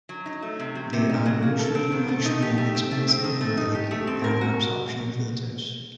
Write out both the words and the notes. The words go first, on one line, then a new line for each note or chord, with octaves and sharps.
They are usually much more expensive and delicate than absorption filters.
F#3
D#4
A3
C3
F#3
C3
D#4
F#3
A#3
A4
C4
D#3
A3
D#4
G4
A3
C4
A3
C4
D#3
A3
D#4
G4
A3
C4
A#4
F#4